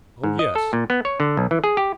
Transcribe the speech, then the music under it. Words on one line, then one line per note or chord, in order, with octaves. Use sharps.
Oh, yes.
G#2
D#5
A4
A#2
B3
C#5
D3
B1
E3
G#4
G4